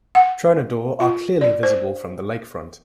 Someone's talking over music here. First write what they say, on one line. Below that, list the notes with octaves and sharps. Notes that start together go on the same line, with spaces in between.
Tronador are clearly visible from the lakefront.
F#5
F4
D5
C5